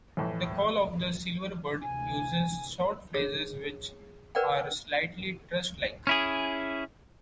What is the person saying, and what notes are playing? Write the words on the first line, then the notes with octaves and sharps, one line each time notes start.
The call of the silverbird uses short phrases which are slightly thrush-like.
F2 A2 E3
D2 C3 E3 G#5
G#4 C#5
A#4 B4 D5 F#5 G5
C#4 E4 G#4